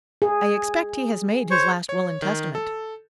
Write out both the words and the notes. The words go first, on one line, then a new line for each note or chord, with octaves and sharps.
"I expect he has made his last will and testament."
G#4
C5 C#5 C#6
C#5
D#3
A4